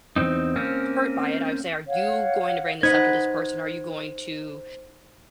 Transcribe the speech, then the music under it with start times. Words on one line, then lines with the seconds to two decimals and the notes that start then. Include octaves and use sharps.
hurt by it. I would say, "Are you going to bring this up to this person? Are you going to
0.16 E2 B2 C4 D#4
0.56 A#3 C4 C#4
1.88 C#5 F5 F#5
2.83 D#4 B4 C5 D#5 F#5 G#6